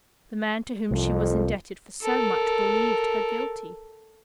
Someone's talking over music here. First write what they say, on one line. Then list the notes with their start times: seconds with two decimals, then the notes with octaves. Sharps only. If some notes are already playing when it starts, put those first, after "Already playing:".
The man to whom she was indebted for so much believed her guilty.
0.91 C2 F2
2.02 A4 A#4